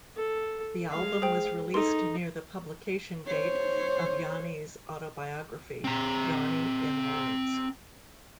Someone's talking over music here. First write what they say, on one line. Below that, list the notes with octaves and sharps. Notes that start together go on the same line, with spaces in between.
The album was released near the publication date of Yanni's autobiography, Yanni in Words.
A4
G#3 F5
G#4 C5 G5
D#4 A4 C6
C5 C#5
C4 A#5